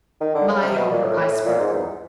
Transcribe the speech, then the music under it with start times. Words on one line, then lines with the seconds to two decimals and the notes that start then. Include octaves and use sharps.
My, how her eyes sparkled!
0.21 D#3
0.35 D3
0.49 C#3
0.63 C3
0.76 B2
0.91 A#2
1.04 A2
1.18 A2
1.32 A2
1.46 A#2
1.59 G#2
1.74 E2